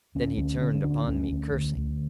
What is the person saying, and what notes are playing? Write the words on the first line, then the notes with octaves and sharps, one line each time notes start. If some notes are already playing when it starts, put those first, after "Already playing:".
Then he turned upon me cursing.
D2 C#4
D2 C#4
D3 C#4
C#4
D2 D4
D2 C#4
D2
D2
D2